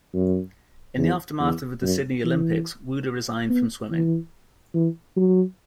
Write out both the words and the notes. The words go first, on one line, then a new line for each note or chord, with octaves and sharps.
In the aftermath of the Sydney Olympics Wouda resigned from swimming.
F#2
E2
E2
F#2
E3
B3
E3
E3
F#3